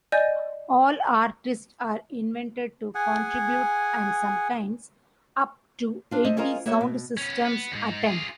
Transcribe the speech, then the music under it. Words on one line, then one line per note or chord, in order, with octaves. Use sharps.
All artists are invited to contribute and sometimes up to eighty sound systems attend.
D5 D#5 G#5 G6
G#4 F#5 G#5
D4 F4
A3 C5 D#5
C#4 F4 G#4 A#4 C5 D#5
A#3 B3 F#4 C#5 E5
B2
B3 C#4
B3
D2 G#2
F4 G#4